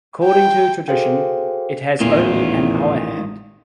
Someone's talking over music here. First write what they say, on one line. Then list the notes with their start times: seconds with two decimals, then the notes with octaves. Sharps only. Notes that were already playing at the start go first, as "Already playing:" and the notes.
According to tradition, it has only an hour hand.
0.25 G5
0.88 F#4 G#4 A4 C5 F5 G5
2.00 A1 E2 A#2 D#3 F4